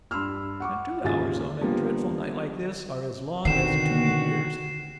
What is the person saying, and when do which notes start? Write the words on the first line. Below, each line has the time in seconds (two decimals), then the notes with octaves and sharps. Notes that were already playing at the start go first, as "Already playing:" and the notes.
And two hours on a dreadful night like this are as long as two years.
0.11 G2 B5 C6 E6 F6
0.60 F#5 C#6 D6
1.04 D#1 G#1 C#3 F4 G#5 A6
1.61 D3 F3 G3 A#3 B3
3.45 B2 D3 D#3 C4 F#4 C7 E7